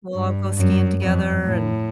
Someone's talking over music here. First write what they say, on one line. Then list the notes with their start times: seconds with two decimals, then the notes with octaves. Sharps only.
we'll all go skiing together and
0.14 G2
0.57 F#2
1.01 F2
1.45 A2